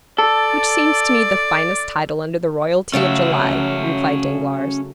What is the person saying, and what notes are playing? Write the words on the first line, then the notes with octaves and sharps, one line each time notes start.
"Which seems to me the finest title under the royalty of July," replied Danglars.
A4 D5
C#3 F#3 A3 C#4 E5